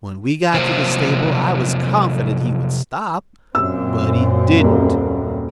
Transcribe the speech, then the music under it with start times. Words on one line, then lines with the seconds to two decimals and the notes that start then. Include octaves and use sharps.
When we got to the stable I was confident he would stop, but he didn't.
0.54 C3 F3 F#3 A#3 F4 C5
3.55 F#2 A#2 C4 E6
4.60 D#1 A#3